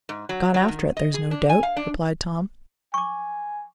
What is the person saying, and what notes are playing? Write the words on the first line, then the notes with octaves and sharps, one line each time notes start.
"Gone after it, there's no doubt," replied Tom.
G#2
F#3
F#3
D#3
D#5
G#4
D4
G#5
F5
D4
G#5 C#6 D6